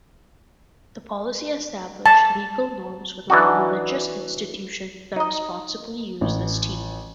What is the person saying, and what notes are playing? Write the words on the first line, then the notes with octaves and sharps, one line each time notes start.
The policy established legal norms for the religious institutions that responsibly use this tea.
A5
E3 D4 D#4 F#4
D#4 D#5
A1